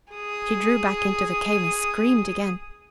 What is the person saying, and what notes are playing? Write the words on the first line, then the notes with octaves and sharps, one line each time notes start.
She drew back into the cave and screamed again.
G#4 D#6